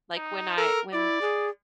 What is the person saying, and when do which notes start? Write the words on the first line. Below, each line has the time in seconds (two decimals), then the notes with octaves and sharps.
like, when I when
0.16 D#4
0.57 A4 A#4
0.93 E4 D5
1.21 G#4